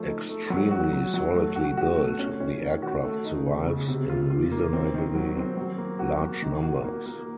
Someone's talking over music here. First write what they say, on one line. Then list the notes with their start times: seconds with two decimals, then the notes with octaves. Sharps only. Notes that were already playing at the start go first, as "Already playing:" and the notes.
Extremely solidly built, the aircraft survives in reasonably large numbers.
Already playing: F3 A3
0.08 D#4
0.29 A3
0.50 F#3
0.71 F#4
0.93 F#3
1.14 F#3
1.35 A3
1.55 F#4
1.77 F#4
1.98 A3
2.19 C#4
2.40 C#4
2.61 D#3
2.83 F#4
3.04 A3
3.25 D#4
3.47 C#3
3.67 C#3
3.88 C3
4.10 F4
4.30 F4
4.51 A#3
4.73 C4
4.94 D#3
5.15 F#3
5.37 C4
5.57 F#3
5.78 A#3
5.99 F#4
6.21 A#3
6.42 D#3
6.63 F#4
6.84 A#3
7.06 A#3